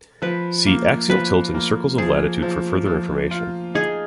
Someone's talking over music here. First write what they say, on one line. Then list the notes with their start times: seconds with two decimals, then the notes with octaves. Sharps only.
See axial tilt and circles of latitude for further information.
0.22 F3 B4
0.66 A#3
1.10 F3 B4
1.54 A#3
1.98 F3 G#4
2.42 F3
2.86 F3
3.31 F4
3.75 D#4 G#4